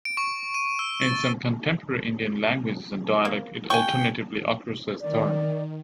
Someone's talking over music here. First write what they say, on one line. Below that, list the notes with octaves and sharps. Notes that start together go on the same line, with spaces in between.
In some contemporary Indian languages and dialects it alternatively occurs as "dharm".
D7
C#6
D#7
E6
A6
A#3
G5 G#5 C#6
D#3 D5